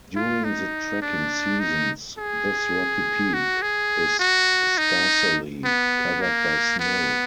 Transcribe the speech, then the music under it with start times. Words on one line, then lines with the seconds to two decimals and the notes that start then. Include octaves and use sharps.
During the trekking seasons this rocky peak is scarcely covered by snow.
0.16 F4
0.44 D#4
1.02 D4
1.60 D#4
2.18 G#4
3.34 F#4
3.62 G#4
4.19 F#4
4.78 D#4
5.64 B3
6.21 A#3
6.79 B3